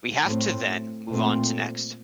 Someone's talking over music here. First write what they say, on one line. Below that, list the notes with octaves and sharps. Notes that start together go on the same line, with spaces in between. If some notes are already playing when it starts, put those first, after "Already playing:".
We have to then move on to next.
A2 A3 C4
A#2 A3 C4